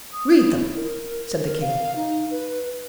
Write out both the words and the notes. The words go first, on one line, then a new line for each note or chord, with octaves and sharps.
'Read them,' said the King.
D#6
E4
A#4
A#4
F5
D#4
B4